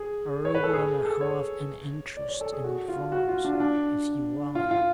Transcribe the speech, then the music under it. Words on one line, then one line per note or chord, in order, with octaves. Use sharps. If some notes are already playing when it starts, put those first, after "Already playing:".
"A rouble and a half, and interest in advance, if you like!"
Already playing: G#4
C#5
B4
A4
G#4
A4
C#5
D5
C#5
A4
G#4
F#4
F4
F#4
F4
D4
F4
D4
F4
F4